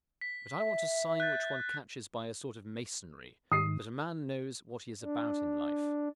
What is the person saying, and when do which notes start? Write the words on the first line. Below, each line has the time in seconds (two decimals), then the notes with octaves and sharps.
But I want a sign which one catches by a sort of masonry, that a man knows what he is about in life.
0.21 B6
0.59 E5
1.20 F#6 G6 A6
3.52 G#2 D#3 D#6 C7
5.03 D4